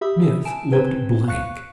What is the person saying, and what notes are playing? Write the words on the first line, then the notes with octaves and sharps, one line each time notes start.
Smith looked blank.
G4 E5 B5 D#6 E6
G#5 A5 D7 E7
C4 B4 C5 G5 G#6 G7
F5 C#6 F#6 C#7